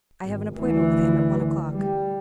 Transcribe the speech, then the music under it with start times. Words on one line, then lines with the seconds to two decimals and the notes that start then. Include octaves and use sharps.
I have an appointment with him at one o'clock.
0.23 G#1
0.55 D2 E3
1.71 G3